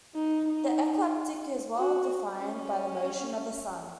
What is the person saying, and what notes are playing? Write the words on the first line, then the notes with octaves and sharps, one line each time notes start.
The ecliptic is well defined by the motion of the Sun.
D#4
D#4
F#4
C#4